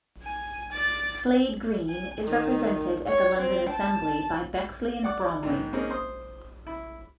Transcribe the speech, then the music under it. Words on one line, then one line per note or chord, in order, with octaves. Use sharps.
Slade Green is represented at the London Assembly by Bexley and Bromley.
G#5
D5 A6
G#5
D#3
C#5
C4
A5
D5 F#5 D6
G#2 D#3 B3
A#3 C4 C#4 D#4 G#4
C5 C6 D#6
E4